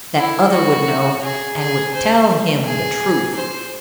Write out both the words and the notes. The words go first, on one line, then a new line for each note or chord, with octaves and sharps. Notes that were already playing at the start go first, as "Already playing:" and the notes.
That other would know, and would tell him the truth!
E4
F#4
G#4
G#4
C5
G#4
C5